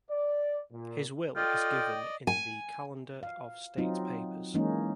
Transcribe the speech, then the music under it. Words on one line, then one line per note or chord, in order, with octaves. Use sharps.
His will is given in the "Calendar of State Papers".
D5
A#2
F4 A4 D5 D#5 G5
G#5
F5
F#3 C4 D#4 F4
E3 G#3 A#3 C#4 D#4